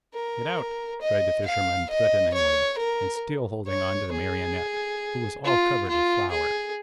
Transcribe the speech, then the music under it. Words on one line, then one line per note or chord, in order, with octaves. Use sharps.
"Get out!" cried the Fisherman threateningly and still holding onto the Marionette, who was all covered with flour.
A#4
D#5
F5
D#5
C#5
A#4
C#5
G#4
F4
F4
G#4